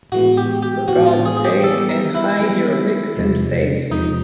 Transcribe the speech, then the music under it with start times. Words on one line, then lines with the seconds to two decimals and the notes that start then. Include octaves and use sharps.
Begone, for God’s sake, and hide your vixen face!
0.12 A2 E3 G#3 B3 F#4
0.37 G4
0.62 G4
0.88 A2 E3 G#3 B3 F#4
1.06 F4
1.25 G#4
1.37 G#4
1.44 G4
1.64 E3 G3 B3 A4
1.89 A#4
2.15 E4
2.40 E3 G3 B3
3.15 E2 C3 F3 G#3
3.91 E2 C3 F3 G#3 D#4